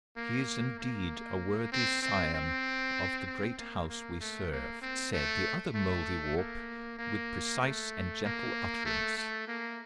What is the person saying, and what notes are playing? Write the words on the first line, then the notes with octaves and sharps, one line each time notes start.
"He is indeed a worthy scion of the great house we serve," said the other Mouldiwarp with precise and gentle utterance.
A#3
A#3
C4
C4
C4
C4
A#3
A#3
A3
A#3
C4
A3
A3
A#3
A#3
A3
A#3
A3
A3
A#3